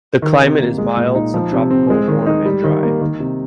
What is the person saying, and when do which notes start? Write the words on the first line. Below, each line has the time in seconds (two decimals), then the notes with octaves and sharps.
The climate is mild subtropical, warm and dry.
0.22 D#3
0.41 C3
0.59 A#3
0.78 G#3
0.97 A#2
1.15 D#4
1.34 F3
1.53 C3
1.71 C4
1.90 G#3
2.08 D#3
2.26 D#4
2.46 G3
2.64 D#3
2.83 A#3
3.01 D#3
3.20 C3